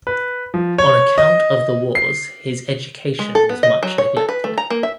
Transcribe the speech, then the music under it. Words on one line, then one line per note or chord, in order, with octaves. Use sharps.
On account of the wars his education was much neglected.
B4
F3
C#5
D#5
C7
G#3
A4
B3
D#5
F#3
C#5
A4
B4
A3
A#5
A#3
E5